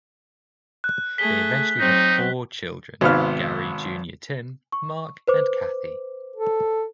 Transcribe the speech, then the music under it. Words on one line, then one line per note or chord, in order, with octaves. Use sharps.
They eventually had four children, Gary Junior Tim, Mark and Kathy.
F#6
A3 G#4 A4 B6 G7
F#3 C4 D#4
G#1 G#2 C3 B3 F5 F6
C#6
B4 C5 D6
A4